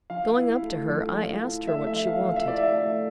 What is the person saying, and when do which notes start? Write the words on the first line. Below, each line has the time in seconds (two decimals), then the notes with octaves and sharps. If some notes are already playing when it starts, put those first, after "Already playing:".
Going up to her, I asked her what she wanted.
0.10 F3 F5
0.36 E4
0.63 A3
0.89 F3
1.15 F3
1.41 E4
1.67 A3 E5
1.87 E5
1.93 F3
2.07 F5
2.20 F3
2.26 F5
2.36 E5
2.46 E4 D5
2.58 E5
2.72 A3